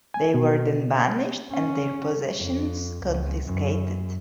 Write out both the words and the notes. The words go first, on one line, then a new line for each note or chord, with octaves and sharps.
They were then banished and their possessions confiscated.
G#5
B2
C#4
F2
C#2
F#2